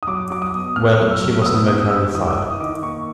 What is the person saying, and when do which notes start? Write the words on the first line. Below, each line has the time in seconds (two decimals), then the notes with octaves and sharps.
Well, she was never gratified.
0.03 D#6
0.07 F#3 D6
0.30 F#3 D6
0.42 D#6
0.54 B2
0.76 B2 F6
0.99 F#3
1.11 E6
1.22 F#3
1.42 D#6
1.45 B3 E6
1.68 G2 D#6
1.91 G3 E6
2.14 D#3 D#6
2.27 D6
2.38 D#3 D#6
2.60 D#3 D6
2.83 A#3 C#6